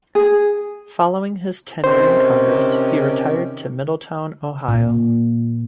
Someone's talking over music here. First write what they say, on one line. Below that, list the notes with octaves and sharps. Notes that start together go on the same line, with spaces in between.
Following his tenure in Congress, he retired to Middletown, Ohio.
G#4
C3 D#3 C#4 C5
A#2